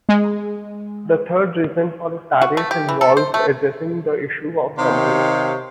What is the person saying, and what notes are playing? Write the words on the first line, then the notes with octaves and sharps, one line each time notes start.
The third reason for a tariff involves addressing the issue of dumping.
G#3
F#4
A3
G4
E3
A4
C5
A3
C3 D#3 D#4 G4 C#5 F5